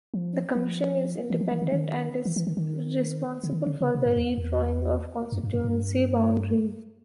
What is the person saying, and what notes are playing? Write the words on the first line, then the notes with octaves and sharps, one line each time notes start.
The commission is independent and is responsible for the redrawing of constituency boundaries.
F3
F3
E3
F3
E3
D#3
D#3
E3
E3
D#3
D#3
D3
D#3
D3
C#3
C3
G2
E2
E2
F#2
G2
F#2
G2